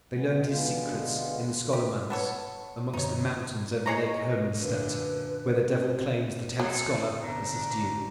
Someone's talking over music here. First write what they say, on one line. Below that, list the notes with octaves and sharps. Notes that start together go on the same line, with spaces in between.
They learned his secrets in the Scholomance, amongst the mountains over Lake Hermanstadt, where the devil claims the tenth scholar as his due.
G#3 B3
B2 D3 G#3 B3 F4
G4
B3 A4 C#5
F#2 D3 D#4 C#5
G#4 C#5 D#5 A#5
F#2 A#2 D3 B4
C4
F#3 C4 G#4 A4
G1 B2 D4 A#5